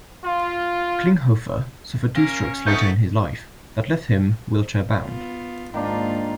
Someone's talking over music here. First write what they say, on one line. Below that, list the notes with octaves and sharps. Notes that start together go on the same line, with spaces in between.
Klinghoffer suffered two strokes later in his life that left him wheelchair-bound.
F4
A#3 C#4 A#4
A3 B3 D#4 C#6 G6
B3 F4
G#2 D#3 A#3 D4 F4